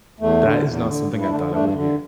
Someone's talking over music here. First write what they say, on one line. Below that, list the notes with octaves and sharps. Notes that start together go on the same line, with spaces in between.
That is not something I thought I would hear.
E2 A3
D3
E2
D3
G2
E4
D3 A3 D4
G2 A3 D4
D3